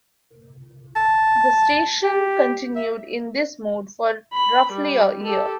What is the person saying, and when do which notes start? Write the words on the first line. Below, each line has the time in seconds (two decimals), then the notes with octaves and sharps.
The station continued in this mode for roughly a year.
0.96 A5
2.03 G4
2.75 E5
4.33 B5
4.72 G3
5.24 G4 A4